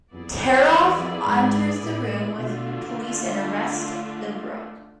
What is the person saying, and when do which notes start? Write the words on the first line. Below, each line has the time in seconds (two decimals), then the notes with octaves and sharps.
Terhoff enters the room with police and arrests Ibro.
0.13 F2 B3 E4 G#4 D5
0.69 E2
0.98 F2
1.26 G#2
1.82 A2
2.37 B2 D3 A3 D4 F4